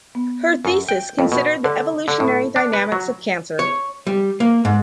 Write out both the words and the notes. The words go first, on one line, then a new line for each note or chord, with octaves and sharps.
Her thesis considered the evolutionary dynamics of cancer.
B3
F#2
G5
F2
B2
D3
D3
A2
D4
B4
F#3
C#5
G3
A#3
G#2